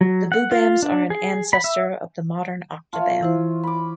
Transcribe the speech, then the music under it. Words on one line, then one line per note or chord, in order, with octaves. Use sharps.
The boobams are an ancestor of the modern octoban.
F#3
F#5
F4
D4
G#4
B5
E5
F4 C#5 E5 A5
E3 E4 C5
B5 D6